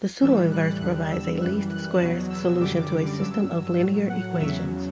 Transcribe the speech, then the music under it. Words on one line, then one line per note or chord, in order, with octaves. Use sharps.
The pseudoinverse provides a least squares solution to a system of linear equations.
A2 E3 G3 E6
F#6
E2 D3 G3 F#6
E6
F#2 E3 G3 F#6
F#6
E2 B2 F#3
E6
F#2 D3 G3 D6
G2 F#3 E6
A2 F#3
F#5
E2 C#3 F#3 E5